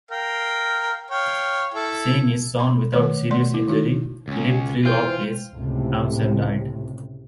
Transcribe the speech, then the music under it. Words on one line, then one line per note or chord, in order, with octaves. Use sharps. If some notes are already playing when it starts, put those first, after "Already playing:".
Seeing his son without serious injury, Philip threw up his arms and died.
A#4 F5 G5
C#5 F5 G5
E4 A4
B5 C6
D#3 A3 B4 C#5
A3 D5 C6
E4
D#3 D#4 F#4
C#2 C#4
E3 F4 C5 G5 G6
C#2 A2 C3